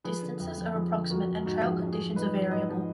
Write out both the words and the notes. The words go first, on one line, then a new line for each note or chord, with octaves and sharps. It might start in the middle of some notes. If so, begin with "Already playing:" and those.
Distances are approximate and trail conditions are variable.
F3 G#4 B4
D3
F2
F2
F3 G#4
D3
F2 F#4 A#4
F2
G#2 F#4
F3
G#4
G#2
G#4
F3
G#2 B4 D#5
F3
G#2 B4 D#5
F3